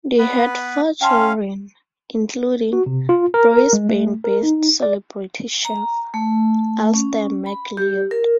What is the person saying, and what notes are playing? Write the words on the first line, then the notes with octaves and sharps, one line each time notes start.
They had four children, including Brisbane-based celebrity chef, Alastair McLeod.
B3 B4
C#4 F5 G5 A5 C6
F#4
C3
F4
A#4
G#3
A3
A#4
D#4
D5
A#5
A3
C#4
B5
G4
A#4